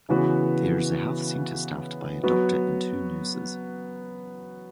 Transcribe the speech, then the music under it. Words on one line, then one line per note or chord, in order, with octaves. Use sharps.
There is a health center staffed by a doctor and two nurses.
C#3 E3 B3 F#4 B4
F#3 B3 F#4